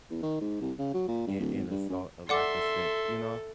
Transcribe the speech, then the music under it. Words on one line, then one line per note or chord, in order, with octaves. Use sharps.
in in a so or like a saint, you know?
E2
D#3
G#2
C2
C#3
F#3
A#2
G2
D1
G#1
G2
F#2
A4 D5 E5 F#5 C6 D6